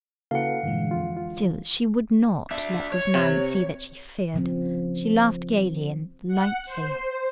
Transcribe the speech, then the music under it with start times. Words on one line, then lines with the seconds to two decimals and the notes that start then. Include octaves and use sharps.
Still she would not let this man see that she feared; she laughed gaily and lightly.
0.31 C#3 A#3 E4 F#4 A4 B4 F5 F#5
0.63 G2 A#2 D3 E3 G#3
0.91 F2 F4
1.17 F4
2.51 D4 E5
2.92 C#5
3.14 C3
4.34 C#3 F3 C4
6.28 F#5
6.65 C5